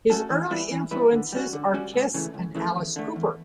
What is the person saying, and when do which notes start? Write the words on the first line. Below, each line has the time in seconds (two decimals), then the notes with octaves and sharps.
His early influences are Kiss and Alice Cooper.
0.10 A3 C#4 F#4 A4
0.30 E3
0.51 G3 B3 E4 B4
0.72 E3
0.91 G3 B3 E4 B4
1.13 D3
1.32 G3 C#4 F#4
1.53 D3
1.74 G3 C#4 F#4
1.94 C#2
2.14 C#3 E3 A3
2.34 C#2
2.55 C#3 E3 A3
2.76 E2
2.96 D3 A3
3.16 E2